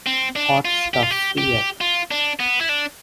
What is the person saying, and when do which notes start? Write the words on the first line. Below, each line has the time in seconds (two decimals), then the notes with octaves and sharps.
Hot Stuff feat.
0.06 C4
0.36 D4
0.65 F4
0.94 G4
1.03 F4
1.11 G4
1.38 G4
1.81 F4
2.11 D4
2.40 B3
2.61 E4
2.69 D4